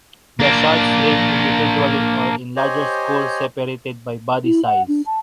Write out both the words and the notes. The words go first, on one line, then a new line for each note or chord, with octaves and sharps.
The sharks live individually or in larger schools separated by body size.
A#3 D4
G4 C5 C#5 D#5 G#5
E4
F#5
D4
A5